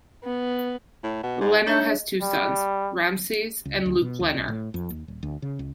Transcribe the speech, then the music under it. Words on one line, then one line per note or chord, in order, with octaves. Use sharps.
Lehner has two sons, Ramses and Luke Lehner.
B3
A2
B2
G#2
D4 D#4 C#5 E5
G3
C#2
D2
B2
D2
B1
A2
F2
D#2
D#1
D2
C#3
C#2